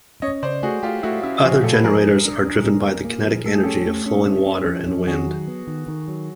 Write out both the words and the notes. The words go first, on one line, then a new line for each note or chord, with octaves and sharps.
Other generators are driven by the kinetic energy of flowing water and wind.
C#4 C#5 D#5
C#3 C5 D5
A3 F#4 G#4
A3 F4 G4
A3 E4 F#4
C#4 E4
F3 F#4 G#4
A3 G4 A4
B4
F3 G#4 A#4
D4
D4
D4
D4
A#3
A#3
F3
A3 A4
G#4
C#4 G4 A4
A3
C#4
C#4
C#4
F3
C#4
D#3 F#4 G#4
F#3
B3
D#3
D#3
F#3